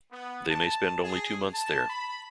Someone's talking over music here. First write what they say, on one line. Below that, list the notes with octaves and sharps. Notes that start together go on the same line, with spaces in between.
They may spend only two months there.
B3
A5
G#4
A5
B5